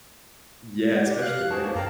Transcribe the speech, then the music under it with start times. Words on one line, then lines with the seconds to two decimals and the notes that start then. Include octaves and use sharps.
Yeah, especially there.
0.92 G#3 F#5
1.07 A#2 G4
1.21 F5 F#6
1.51 F#4 G#4 A5
1.63 A#3
1.75 F#2 F5 G5 A5 A#5